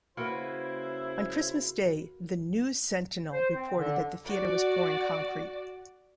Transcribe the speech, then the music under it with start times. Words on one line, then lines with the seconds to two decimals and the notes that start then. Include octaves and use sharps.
On Christmas Day the "News-Sentinel" reported that the theatre was pouring concrete.
0.17 C#3 A#3 E4 F#4 B4 C5
3.32 C5
3.55 C4
3.77 D3
4.25 F#4 D5